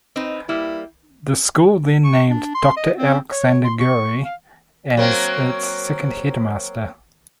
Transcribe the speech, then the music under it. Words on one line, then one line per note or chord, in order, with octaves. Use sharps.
The school then named Doctor Alexander Guerry as its second headmaster.
C4 D#4 B4
G3 A#3 E4
C#6
D4
C6
D#5
C4
C#5
C6
C#6
F5
F#3 A#3 C4